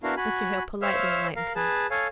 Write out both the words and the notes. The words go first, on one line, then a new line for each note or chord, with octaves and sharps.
Mr. Hale politely enlightened him.
B3 D4 E4 F#4 A#4 F5
F#4 G#5 B5
C5 C#5 E5 F5 E6 F6
A#4 F5
G#4 B4 A5
A4 C#5 F5 G#5